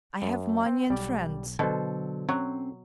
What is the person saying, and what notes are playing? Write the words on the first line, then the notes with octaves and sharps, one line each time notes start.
I have money and friends.
F#2
C4
B1 G3 D5
B2 D3 F#3 A4 C5
F#3 C4 C#4